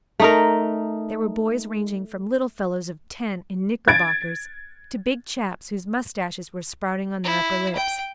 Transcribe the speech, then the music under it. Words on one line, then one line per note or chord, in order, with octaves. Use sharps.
There were boys ranging from little fellows of ten, in knickerbockers, to big chaps whose mustaches were sprouting on their upper lips.
A3 D#4 A#4
G#6 A6 D7
E4
G5